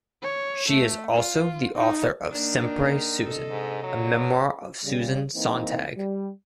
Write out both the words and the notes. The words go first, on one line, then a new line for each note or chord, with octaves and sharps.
She is also the author of Sempre Susan: A Memoir of Susan Sontag.
C#5
A3
F4
D#4
D#3 A#3 D4
C3 A4 D#5
G#2
F#3
C#3 G3
E3 A#3 C4 D#4
G3